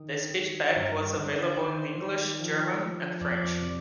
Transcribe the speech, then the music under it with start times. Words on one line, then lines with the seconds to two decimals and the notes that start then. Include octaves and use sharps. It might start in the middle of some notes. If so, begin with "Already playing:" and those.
The speech pack was available in English, German and French.
Already playing: D#3
0.35 D#3
0.75 G2 A#4
1.16 D3
1.37 D#5
1.47 D5
1.57 D#3 C5
1.98 D#3
2.39 F3
2.79 F3
3.21 F2 D5
3.61 C3